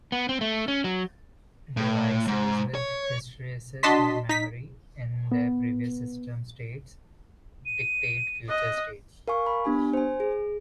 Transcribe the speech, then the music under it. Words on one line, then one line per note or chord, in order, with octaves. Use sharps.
Devices with hysteresis have memory, in that previous system states dictate future states.
B3
C4
A3
C#4
F#3
A2
G#2
C#5
D4 F#4 D#5 A5 C6 B6
D#4 B6
B3
D#7
D#5 F#6
A#4 F5 G#5 C#6
B5
B3 D4 G4 G#5
C5 G#5
G#4